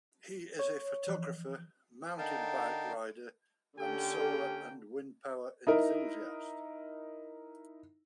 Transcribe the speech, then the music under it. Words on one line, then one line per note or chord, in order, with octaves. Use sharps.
He is a photographer, mountain bike rider, and solar- and wind-power enthusiast.
C#5
E3 F3
D3 D#4 A#4 F5 G5 A5
D3 A#3 C#4 G4 G5
D#4 E4 A#4